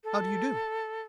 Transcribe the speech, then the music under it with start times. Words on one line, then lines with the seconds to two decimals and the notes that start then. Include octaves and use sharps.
"How do you do?"
0.04 A4